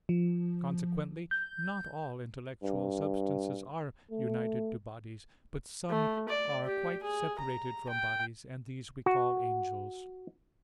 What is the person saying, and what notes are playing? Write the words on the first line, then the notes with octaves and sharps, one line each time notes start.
Consequently not all intellectual substances are united to bodies; but some are quite separated from bodies, and these we call angels.
F3
G6
G2
A3
A3
D5
G4
G#4
A#5
G5
F#4